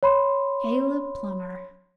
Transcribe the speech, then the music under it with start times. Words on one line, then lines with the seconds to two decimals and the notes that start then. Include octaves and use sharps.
'Caleb Plummer.
0.03 C#5 B5 C6